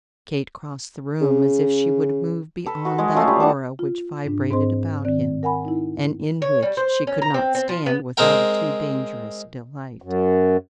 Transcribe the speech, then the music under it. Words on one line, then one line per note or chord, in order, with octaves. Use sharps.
Kate crossed the room as if she would move beyond that aura which vibrated about him and in which she could not stand without a too dangerous delight.
C#3
A4 B4
F#4 B4
G#3 D#5
A3 C#4 F4 C5
G3 F4 B4 C5
D4 F#5 A5
F4
G#2 D4
G#2 C4 G#4 C5 D#5 C6
D#3 C4 D5
A#4 F#5 G#5 B5
D#4 E4
C#5
G3
C5
C#4
A#5
C4
C4
F3
B3
G#3 C4 A#4 G5
F#2